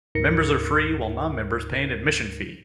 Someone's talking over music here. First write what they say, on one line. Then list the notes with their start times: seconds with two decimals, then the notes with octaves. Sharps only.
Members are free, while non-members pay an admission fee.
0.15 D2 G#2 D#4 A#4 A#6 C#7